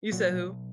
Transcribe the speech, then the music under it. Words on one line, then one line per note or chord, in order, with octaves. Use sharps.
You said who?
A#2 F#3
B1
B1